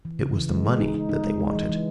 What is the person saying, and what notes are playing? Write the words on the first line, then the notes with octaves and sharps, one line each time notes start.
It was the money that they wanted.
E3
C#3
E3
G#3
G#3
D#4
D#4
D#4
G#3
G#3
E3
E3